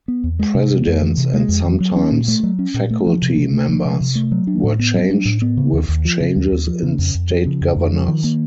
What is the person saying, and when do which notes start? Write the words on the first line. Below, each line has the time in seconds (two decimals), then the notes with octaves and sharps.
Presidents and sometimes faculty members, were changed with changes in state governors.
0.08 B3
0.24 E2
0.39 G#3
0.54 C3
0.71 G#3
0.87 F2
1.02 E3
1.18 C3
1.33 G#3
1.49 F2
1.65 E3
1.80 F#3
1.96 C#4
2.11 A#2
2.28 A3
2.43 F#3
2.59 C#4
2.74 A#2
2.91 A3
3.06 F3
3.22 C3
3.38 C3
3.54 A3
3.69 F3
3.85 C3
4.01 C3
4.15 A3
4.32 F#3
4.47 D4
4.64 A2
4.79 B3
4.94 F#3
5.10 D4
5.25 A2
5.42 B3
5.57 C#3
5.73 D#2
5.89 D#2
6.05 F3
6.20 C#3
6.36 D#2
6.52 D#2
6.67 F3
6.83 C#3
6.99 F2
7.15 F2
7.30 F3
7.46 C#3
7.61 F2
7.76 F2
7.92 F3
8.08 D#3
8.24 A#3